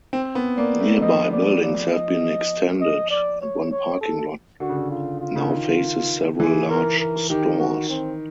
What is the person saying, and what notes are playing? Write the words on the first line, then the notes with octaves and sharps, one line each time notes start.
Nearby buildings have been extended, and one parking lot now faces several large stores.
C4
B3
A#3 D5
A3
F3 D#5
D5
D5
D#5
D#5
D5
C#5
C#5
A4
D3 F#4
C#3
D3
F4
F4
C#3
D3
D#3
E3 G#4
A#4
A#4
D#3 G4
F#4
C4